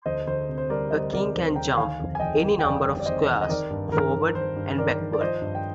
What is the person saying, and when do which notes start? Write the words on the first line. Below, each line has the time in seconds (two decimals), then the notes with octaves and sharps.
A king can jump any number of squares forward and backward.
0.06 D2 C5 D#5
0.27 D2 C5
0.49 C3
0.58 C5
0.69 G3 A#4 D5
0.91 G3 C5 D#5
1.12 C3 A#4 D5
1.34 D2 C5
1.56 D2 G5 A#5
1.77 D#3 F5 G#5
1.99 F2
2.15 G#5
2.20 F1 D#5 G5
2.42 G3
2.59 G5
2.63 F2 D5 F5
2.84 G3
3.00 D5
3.06 D#3 C5 D#5
3.27 D#3
3.41 D#5
3.49 D#3 A#4 D5
3.70 G2
3.92 D#3 A#4
4.13 D#3
4.35 D#3 C5
4.56 G2
4.77 D#3 A#4 D5
4.99 D#3
5.13 D5
5.21 F3 C5 D#5
5.42 G2
5.55 G5